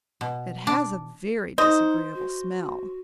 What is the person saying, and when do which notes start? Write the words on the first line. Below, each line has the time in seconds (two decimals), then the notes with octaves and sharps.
"It has a very disagreeable smell."
0.21 B2
0.67 D4
1.58 D#4 C5 D#5
2.14 F#4